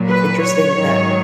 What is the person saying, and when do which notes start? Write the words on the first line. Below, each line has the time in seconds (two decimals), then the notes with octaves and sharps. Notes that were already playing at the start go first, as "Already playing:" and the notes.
it's interesting that
Already playing: A#2 F#3
0.08 B4
0.42 C#5
0.75 G#2 D#3 F#3